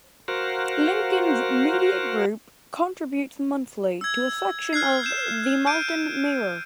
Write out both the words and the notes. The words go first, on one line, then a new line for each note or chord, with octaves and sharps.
Lincoln's Media Group contributes monthly to a section of "The Malton Mirror".
F#4 A#4 C5 F5 F#5
E6 G#6
F6 F#6 G#6 C7
G6 E7
F6 G6 D7 D#7